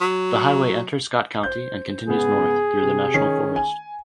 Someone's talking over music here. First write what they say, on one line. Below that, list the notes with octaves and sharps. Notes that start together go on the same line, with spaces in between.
The highway enters Scott County and continues north through the national forest.
F#3
C5 G6
G#2 C#3 B3 G#4
C3
D#3 C#4
G#5